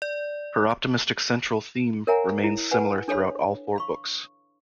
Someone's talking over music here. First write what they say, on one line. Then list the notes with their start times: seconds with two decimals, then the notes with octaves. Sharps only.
Her optimistic central theme remains similar throughout all four books.
0.02 D5
2.07 A#4 C#5 E5 F#5 G#5 A#5
2.44 E4
2.71 B4 F#5 G#5
3.08 D4 A4 C#5 F5 B5
3.76 F5 B5 C#6